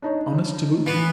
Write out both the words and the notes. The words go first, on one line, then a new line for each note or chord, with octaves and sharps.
Honest, to boot.
D4 D#4 C#5
E3 B3 D7